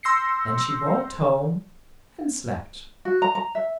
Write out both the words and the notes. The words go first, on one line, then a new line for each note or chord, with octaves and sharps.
Then she walked home and slept.
C6 E6 G6 A#6 C7 C#7
F#4
A#5
A#5
E5